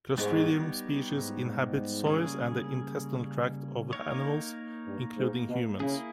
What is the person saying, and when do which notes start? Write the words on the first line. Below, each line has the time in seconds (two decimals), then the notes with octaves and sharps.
"Clostridium" species inhabit soils and the intestinal tract of animals, including humans.
0.18 G#2 G3 B3 D#4 G4 C#5
1.12 G#2
2.05 C#3 G3 A#3 C#4 G#4
3.93 A#3 D#4 A#4 C#5
4.87 G2
5.18 G#2
5.49 B2
5.80 C#3 A#3 E4 G#4